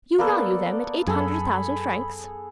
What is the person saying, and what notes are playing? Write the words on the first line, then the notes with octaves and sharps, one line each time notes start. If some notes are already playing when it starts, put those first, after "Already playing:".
"You value them at eight hundred thousand francs?"
A#3 B3 A4 D5
F#2 G#4 A4 B5